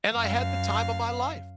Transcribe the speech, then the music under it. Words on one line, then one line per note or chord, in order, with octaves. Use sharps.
and I had the time of my life.
F#2 F5